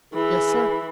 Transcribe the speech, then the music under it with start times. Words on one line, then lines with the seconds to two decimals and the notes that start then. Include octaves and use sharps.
"Yes, sir."
0.14 E3 G#4